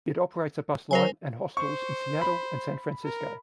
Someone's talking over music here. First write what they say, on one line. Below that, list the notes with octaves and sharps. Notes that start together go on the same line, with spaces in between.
It operates a bus line, and hostels in Seattle and San Francisco.
F#3 A#4 C5 G#5
C5 C#6
B5
A#4